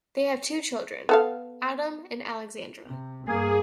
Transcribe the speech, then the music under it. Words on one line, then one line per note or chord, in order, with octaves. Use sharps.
They have two children: Adam and Alexandra.
B3 A4 F5
C3
G2 A#3 G#4